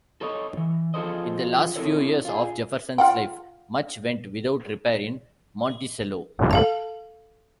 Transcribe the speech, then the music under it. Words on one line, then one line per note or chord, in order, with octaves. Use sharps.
In the last few years of Jefferson's life, much went without repair in Monticello.
A4 B4 C#5 D#5
E3
F3 F4 G#4 A4 C5 D#5
C3 A3 E4 A4 A#4 C#5
F4 G#4
F4 F#5 G5
A4 F5 A5